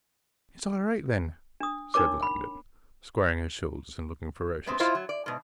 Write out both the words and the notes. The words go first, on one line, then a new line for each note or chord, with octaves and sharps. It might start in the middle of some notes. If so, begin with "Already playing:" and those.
"It's all right, then," said Langdon, squaring his shoulders, and looking ferocious.
D4 D#6
D4 D#4 A#4 C#5 D6
B5
G#3 B3 C4
E4 F4 C5 D#5
F#3
D5
G#2 B2